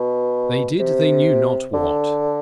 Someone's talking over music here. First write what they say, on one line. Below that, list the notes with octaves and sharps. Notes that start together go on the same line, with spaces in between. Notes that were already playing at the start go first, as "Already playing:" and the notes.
They did they knew not what.
Already playing: B2
C3
D3